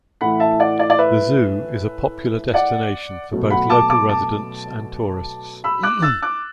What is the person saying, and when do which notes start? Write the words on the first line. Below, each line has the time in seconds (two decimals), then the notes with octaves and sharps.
The zoo is a popular destination for both local residents and tourists.
0.21 A2 E3 A3 F#5 B5
0.40 E5 A5
0.60 D5 F#5
0.79 D5
0.90 D5
0.99 B4 E5
2.54 D5 F#5
3.31 B2 F#3 A3
3.50 F#5 B5
3.70 A5 D6
3.90 A5 D6
4.09 A5 D6
5.64 B5 E6
5.83 D6 F#6
6.02 E6 A6
6.22 D6 F#6